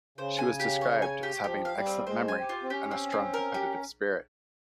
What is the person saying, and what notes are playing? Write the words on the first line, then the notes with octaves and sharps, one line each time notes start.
She was described as having had an excellent memory, and a strong competitive spirit.
C#3 C5
G#5
G4
C#5
G#5
G4
F3 G4
F5
G3
C4
G#3 C5
G#5
G4
F4
C4
C#4 G4
C4
C4
A#4
G4